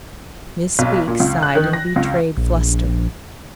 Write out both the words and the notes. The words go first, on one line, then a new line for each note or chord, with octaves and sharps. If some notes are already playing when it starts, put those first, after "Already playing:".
Miss Weeks sighed and betrayed fluster.
B1
A#2
C#2
F#6
D#3
A#6
C#2
A#1